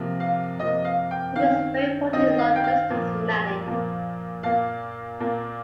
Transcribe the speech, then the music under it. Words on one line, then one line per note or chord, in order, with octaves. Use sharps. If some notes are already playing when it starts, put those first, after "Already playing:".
Wind is very important in long-distant smelling.
Already playing: C3 F3 A#3
F5
C3 F3 A#3 D#5
F5
G5
D#3 C4 F5
D#3 C4 D#5
F5
G5
F5
A#2 F3 A#3
A#2 F3 A#3
A#2 A#3 F5
A#2 A#3